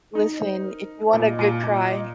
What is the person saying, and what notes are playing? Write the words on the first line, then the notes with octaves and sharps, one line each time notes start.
Listen, if you want a good cry
D#4 D#5
D#5
C5
A#4
C5
A#2 F5
D#5
A#2
F5
A#2 D#5